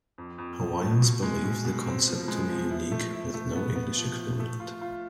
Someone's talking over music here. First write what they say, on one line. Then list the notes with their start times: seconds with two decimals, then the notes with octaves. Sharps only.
Hawaiians believe the concept to be unique, with no English equivalent.
0.18 F2
0.38 F2
0.60 F3
0.81 A3
1.02 B2
1.23 G#3
1.44 B2
1.65 B2
1.86 C4
2.07 F3
2.28 G#3
2.50 F3
2.70 E4
2.92 A3
3.13 E4
3.34 A3
3.55 B3
3.76 B3
3.97 F3
4.18 F3
4.40 A3
4.60 F4
4.81 F4